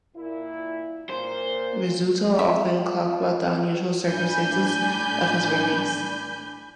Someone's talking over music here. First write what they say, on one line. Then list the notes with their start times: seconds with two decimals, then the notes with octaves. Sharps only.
Rizzuto often talked about the unusual circumstances of his release.
0.16 A#2 E4
1.09 A#2 C5
2.39 F4 E5
4.08 A2 D4 G#5 B5 G6